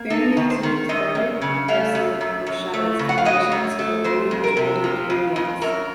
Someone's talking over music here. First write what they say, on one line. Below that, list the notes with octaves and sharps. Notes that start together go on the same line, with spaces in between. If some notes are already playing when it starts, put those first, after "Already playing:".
Variants use garlic, parsley, or shallots in addition to the three trinity ingredients.
Already playing: A#3
D#4 A4
D#3
C5
D#3
F#2 D#5
F#2
C#3
A3 F5
F#2
F#2
F#2
A3
C#3
F#5
F5
F#3 D#5
F#2
A3
F2 C5
F2
A#4
C3
F3
F2
F2
F#2 A#4